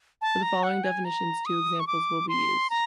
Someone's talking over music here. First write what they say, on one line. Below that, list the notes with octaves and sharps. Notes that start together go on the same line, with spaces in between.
For the following definitions, two examples will be used.
A5
A#5
F#5
G#5
A#5
D#6
C#6
D6
C6
A#5